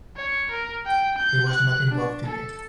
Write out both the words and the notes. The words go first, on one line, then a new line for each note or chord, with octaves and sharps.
He was not involved in it.
C#5
A#4
G5
G6
F#6
D4
A4